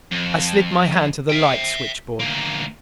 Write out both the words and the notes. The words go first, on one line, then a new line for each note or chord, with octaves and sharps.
I slid my hand to the light switchboard.
F2
E5 G5
D2 A#3